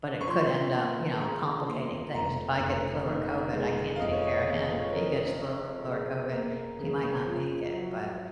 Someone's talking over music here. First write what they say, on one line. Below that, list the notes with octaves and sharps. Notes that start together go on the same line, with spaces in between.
but it could end up, you know, complicating things. If I get flu or COVID, I can't take care of him. If he gets flu or COVID, he might not make it," but
C#6
F3 C6
A#3
C#3 A#5
A#3 C6
F1 A#5
F1
D#3
G#3
F5
F2 D#5
C#5
D#5
C#3 F5
C#5
C#3 A#4
C4
C#3
A#3
C#3
F3
F#3